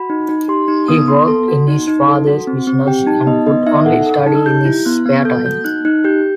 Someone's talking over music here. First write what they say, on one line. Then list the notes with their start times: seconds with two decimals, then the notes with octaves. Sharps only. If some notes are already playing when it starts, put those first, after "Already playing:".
He worked in his father's business and could only study in his spare time.
Already playing: F#4 B5
0.10 D#4
0.29 D#4
0.48 G4 C6
0.68 D#4
0.88 B3 D#6
1.08 B3 C6
1.28 A4
1.48 F#4
1.68 D#4
1.88 D#4
2.08 A4
2.27 F#4
2.47 C4
2.67 C4
2.87 G4 G5
3.07 D#4 A5
3.26 B3 D#5
3.46 B3 D#5
3.67 D#4 E5
3.86 A4 F#5
4.06 A4
4.26 D#4 A5
4.46 G4 G6
4.65 E4
4.85 B3 F#6
5.06 B3
5.25 A4 G6
5.45 F#4 G6
5.64 D#4 F#6
5.85 D#4 F#6
6.04 G4 G6